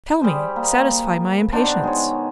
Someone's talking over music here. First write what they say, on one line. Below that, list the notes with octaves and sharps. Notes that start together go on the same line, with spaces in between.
"Tell me; satisfy my impatience."
G3 G#4 C5
A#3
B2 D#3 D4 C5
G#3 C#5